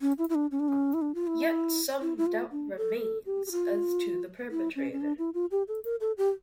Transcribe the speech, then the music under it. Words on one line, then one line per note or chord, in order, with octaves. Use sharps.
Yet some doubt remains as to the perpetrator.
C#4
E4
E4
D4
C#4
D4
C#4
E4
D4
F4
E4
E4
E4
F4
D4
A4
A#4
A4
G4
G4
F4
E4
C#4
C#4
D4
E4
F4
G4
A4
A#4
A4
G4